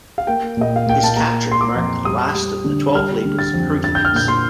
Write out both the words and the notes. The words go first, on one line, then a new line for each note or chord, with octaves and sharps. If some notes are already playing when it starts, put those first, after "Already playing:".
His capture marked the last of the twelve labors of Hercules.
F5
A#3 G5
A#2 D#5
F5
A#2 G5
A5
A#3 A#5
A#3
C6
D6
F2
G3 D#6
G3
D3
G3 F6
D3
A6
F2
D4 A6
G6
F6
A#2 G6
C6